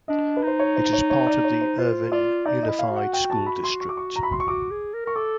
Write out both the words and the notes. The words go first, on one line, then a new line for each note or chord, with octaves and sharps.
It is part of the Irvine Unified School District.
D4 D#5
B4
D#4 C5
C#5
C5
C#5
C#5
D5
C#5
C5
F4 C5
F4 D5
D#4 D5
D#5
E4
F5
F#4
F#5
G5
A5
B5
C6
C#6
D6
C#6
A#5
B5
C6
C#6
F#4 D6
G#4
A#4
A#4 C#6
A4 D6